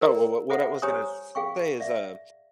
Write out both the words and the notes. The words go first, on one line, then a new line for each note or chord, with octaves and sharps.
Oh, well, what what I was gonna s say is, uh,
A#4 D5 A#5
G#4 A4 C5 E5 F#5
G4 C5 C#5 G#5 A#5 D#6
G#4 F5 G5 C#6
D5 E5 F5